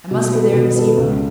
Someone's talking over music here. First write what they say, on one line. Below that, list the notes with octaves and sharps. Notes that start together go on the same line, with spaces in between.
"I must be there this evening."
B2
B3 A4
B2
B3 A4
C#2